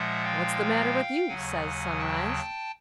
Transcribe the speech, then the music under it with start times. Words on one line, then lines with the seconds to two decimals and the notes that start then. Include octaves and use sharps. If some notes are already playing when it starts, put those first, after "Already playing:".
"What's the matter with you?" says Sunrise.
Already playing: A#2 F3 G#3 E5 F#5
0.24 F5 G5
1.28 D#2 C#3 F#3 F#5 G#5
1.98 G5 A5